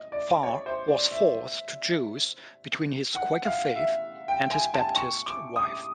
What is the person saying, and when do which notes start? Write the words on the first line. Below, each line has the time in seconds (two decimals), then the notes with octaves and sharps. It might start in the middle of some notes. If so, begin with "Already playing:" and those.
Farr was forced to choose between his Quaker faith and his Baptist wife.
Already playing: D#5
0.12 D5
0.43 C#5
0.66 C5
0.88 D5
1.11 E5
3.15 F#5
3.45 F5
3.76 E5
4.28 G5
4.51 G#5
4.74 A5
4.96 C#6
5.26 D6
5.56 D#6